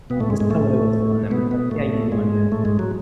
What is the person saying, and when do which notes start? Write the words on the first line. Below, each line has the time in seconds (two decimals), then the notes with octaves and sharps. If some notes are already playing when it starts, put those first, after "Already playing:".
uh, that's kind of what I wanna instill in them. It's, like, yeah, you wanna,
0.10 B2 B3
0.20 A2 A3
0.30 G#2 G#3
0.40 G#2 G#3
0.50 A2 A3
1.31 B2 B3
1.51 B2 B3
1.71 A2 A3
2.12 G#2 G#3
2.52 A2 A3
2.65 G#2 G#3
2.79 F#3